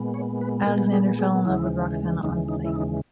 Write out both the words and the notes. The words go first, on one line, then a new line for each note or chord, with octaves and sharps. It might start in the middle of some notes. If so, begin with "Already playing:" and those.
Alexander fell in love with Roxana on sight.
Already playing: A#2 G#3 B3
C#5
B4
A#2 G#3 B3 A#4
G#4
G#4
D#2 C#3 E3 G#3 E4
D#2 C#3 E3 G#3 D#4
D#4
E4
D#4